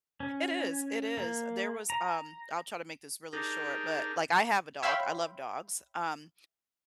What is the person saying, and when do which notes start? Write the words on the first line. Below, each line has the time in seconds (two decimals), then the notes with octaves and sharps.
It is, it is, there was, um, I'll try to make this really short but, like, I have a dog, I love dogs, um,
0.20 C#4
1.18 A#3
1.90 A#5
3.33 D4 D#4 G4 G#4 A#4 A#5
4.83 C#5 E5 F5 G5 B5 C6